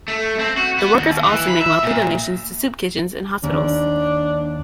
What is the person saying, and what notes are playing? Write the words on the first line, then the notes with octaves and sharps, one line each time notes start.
The workers also make monthly donations to soup kitchens and hospitals.
A3
C4
F#4
B3
D#2
E3
B5
E5
A#2
D#2 D4